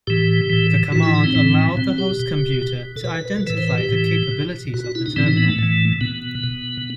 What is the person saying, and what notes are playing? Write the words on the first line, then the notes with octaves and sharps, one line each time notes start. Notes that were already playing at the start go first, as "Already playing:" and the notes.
The command allowed the host computer to identify the capabilities of the terminal.
A2 E3 G4
A2 E3
A2 E3 F#4
E4
D#4
C4
A2 E3
B2 C4
G4
B2
B2
A4
B2 B4
B4
B4
A4
A2 E3 B4
C5
B4
G4
A2 E3
B2
B2 F#4
F#4
E4
D#4
A2 E3 C4
D#4
B3
A3
A2 E3
B2 B3
B2